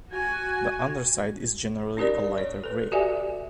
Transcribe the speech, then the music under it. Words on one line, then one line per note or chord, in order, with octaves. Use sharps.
The underside is generally a lighter gray.
F#4 G#5
C#4 D#4 G4 A#4 D5
C#5
A4 B4
F#4 G4 A4 D5 E5 G#5